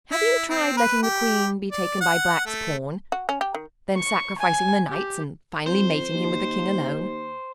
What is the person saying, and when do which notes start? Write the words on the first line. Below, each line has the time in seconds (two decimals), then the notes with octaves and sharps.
"Have you tried letting the Queen be taken by Black's pawn, then sacrificing the Knights, and finally mating him with the King alone?"
0.12 E4
0.50 C4
0.77 B4
1.03 G4
1.72 D5
2.01 F#5
2.46 A3
3.12 F#4
3.29 C#4
3.41 G4
3.55 D#3
3.96 C#6
4.37 G#5
4.88 G4
5.66 F2 C5
6.15 D#2